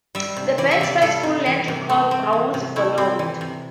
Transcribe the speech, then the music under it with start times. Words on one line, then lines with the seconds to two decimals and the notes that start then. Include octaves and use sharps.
The band's first full-length record, "Gauze", followed.
0.15 G3 E5
0.36 C3
0.58 E3 D5
0.71 E5
0.81 C3 D5
1.02 G3 A4
1.23 C3
1.46 E3
1.68 C3
1.90 A3
2.11 C4
2.33 E3
2.54 C3
2.76 A3 E4
2.98 C4
3.19 E3
3.41 C3